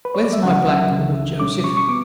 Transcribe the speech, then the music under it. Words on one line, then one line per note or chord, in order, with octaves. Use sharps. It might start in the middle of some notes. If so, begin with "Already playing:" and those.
"Where's my blackboard, Joseph?"
B4
C#5
D5
E5
C#2 C#3 F#3 C#4 F#5
E5
C#2 C#3 E3
B2 G3 C#4 D6
C#6
C#6
B3 D6